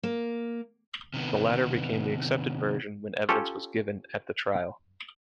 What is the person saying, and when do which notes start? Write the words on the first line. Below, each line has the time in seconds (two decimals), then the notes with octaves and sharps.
The latter became the accepted version when evidence was given at the trial.
0.03 A#3
1.14 C3 D#3 B3
3.29 C#4 F4 G4 A4 C#5